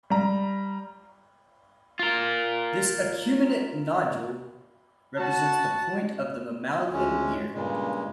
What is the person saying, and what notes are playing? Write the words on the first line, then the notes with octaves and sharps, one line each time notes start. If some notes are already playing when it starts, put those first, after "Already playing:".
This acuminate nodule represents the point of the mammalian ear.
G3 A#5
F4 A#4
F#4 A5
D2 G#3 C#4
G2 A#2 C#3 G#3